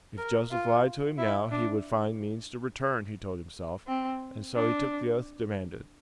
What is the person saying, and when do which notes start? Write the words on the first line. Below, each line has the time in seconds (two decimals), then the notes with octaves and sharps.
If Joseph lied to him now, he would find means to return, he told himself, and so he took the oath demanded.
0.18 A#4
0.51 F4
1.18 E4
1.51 D4
3.87 C4
4.55 D4